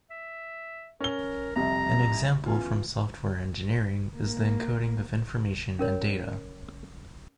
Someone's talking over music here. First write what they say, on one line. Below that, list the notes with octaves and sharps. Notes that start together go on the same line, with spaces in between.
An example from software engineering is the encoding of information and data.
E5
C#4 A#4 G7
C2 F2 C3 A#5
E2 C#4 F4
A#3
C#4 A#4 C#5